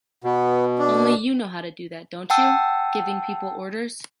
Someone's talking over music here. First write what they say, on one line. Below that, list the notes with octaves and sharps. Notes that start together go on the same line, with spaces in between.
Only you know how to do that, don’t you? Giving people orders.
B2 B3
D4
F#5 G5 A5 E6